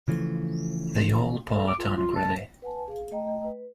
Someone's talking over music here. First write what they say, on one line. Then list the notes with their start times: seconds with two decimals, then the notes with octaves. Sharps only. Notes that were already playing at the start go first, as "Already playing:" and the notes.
They all part angrily.
0.08 C#3 E3 F3 A3
1.55 A4
1.68 D6
1.79 F4
1.96 F4
2.16 A5
2.62 B4 F#5 G#5 A5
2.88 G#4 F5
3.11 A3 D#5 G5 A#5
3.44 B4